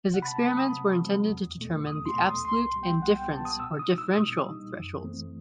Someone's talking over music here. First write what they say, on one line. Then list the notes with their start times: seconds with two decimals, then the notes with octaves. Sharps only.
His experiments were intended to determine the absolute and difference, or differential, thresholds.
0.14 C3 F#5
0.22 B5
0.28 A5
0.42 F#3 A3 C4 B5
0.57 D#6
0.71 C3
1.00 F#3 A3 C4
1.29 E2
1.58 B2 A3
1.87 E2 D#6
2.06 C6
2.16 B2 A3
2.25 D#6
2.45 C2 C6
2.73 B2 G3 B3
2.83 G5
3.02 C2 F#5
3.16 G5
3.31 B2 G3 B3 A5
3.45 D#6
3.60 B2 E6
3.79 D#6
3.88 G3 D#4
3.98 E6
4.17 B2 D#6
4.46 G3 D#4
4.75 F#2
5.04 E3 A3 C4